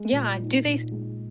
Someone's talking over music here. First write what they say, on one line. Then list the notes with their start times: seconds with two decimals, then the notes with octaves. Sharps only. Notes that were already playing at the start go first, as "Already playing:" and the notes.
Yeah. Do they s
Already playing: G#3
0.13 A#2
0.39 D#4
0.65 A#2
0.92 G#3